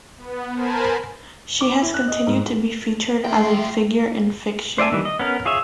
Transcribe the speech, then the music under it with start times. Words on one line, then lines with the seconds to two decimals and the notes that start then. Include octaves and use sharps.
She has continued to be featured as a figure in fiction.
0.17 B3
0.53 A#4 C5 G#5 A5 B5
1.61 D6
1.81 E4
1.94 F#6
2.08 D#5
2.27 G#2
3.24 A3 F4 G5 C6
4.78 C5 D5 E5 G#5 A5
4.92 D#3 E3 G3
5.05 D#5
5.19 B3 C#4 A#4
5.45 F4 G#4 C#5 E5